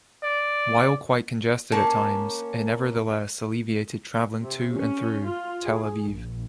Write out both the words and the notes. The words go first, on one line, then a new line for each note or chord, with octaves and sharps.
While quite congested at times it nevertheless alleviated traveling to and through Tel Aviv.
D5
A#3 C#4 A5
C3
C#4
F4
G#4
A#1